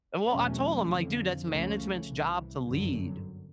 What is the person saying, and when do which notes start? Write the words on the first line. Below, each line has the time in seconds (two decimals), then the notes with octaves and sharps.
And well, I told him, like, "Dude, that's management's job to lead,"
0.28 E2 B2 F#3 A3 C#4
0.88 F2 D3 F3
1.47 C#2 C#3 F3 A3 C#4
2.05 C2 C3 E3
2.64 G1 F#2 D3 F#3